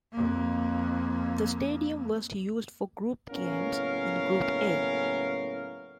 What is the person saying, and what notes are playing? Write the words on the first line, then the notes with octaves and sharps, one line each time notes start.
The stadium was used for group games in Group A.
F2 A#3
F#1 A2 B3 C#4 A#4 F5